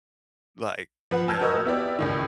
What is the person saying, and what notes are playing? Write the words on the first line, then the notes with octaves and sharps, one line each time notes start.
like, you know,
F3 B4 F#5
G#5 A5 E6 F6 G6 G#6
F#4 A#4 B4 D#5 C#6 E6
B3 E4 G4 D5
C#2 A2 D#3